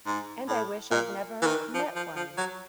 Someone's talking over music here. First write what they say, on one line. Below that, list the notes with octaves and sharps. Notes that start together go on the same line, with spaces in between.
And I wish I'd never met one.
G#2
A2
A#2
E3
D#3
F3
F3
F3
F#3